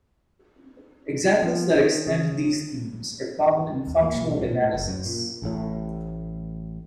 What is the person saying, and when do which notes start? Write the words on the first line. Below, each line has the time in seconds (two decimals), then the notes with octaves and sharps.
Examples that extend these themes are common in functional analysis.
1.42 F3
1.75 D#3
2.07 C#3
3.87 D#2
4.02 A#3
4.14 B1
4.41 A#2
4.61 A2
4.74 F#1
4.88 F#2
5.05 A#2
5.42 A1 A2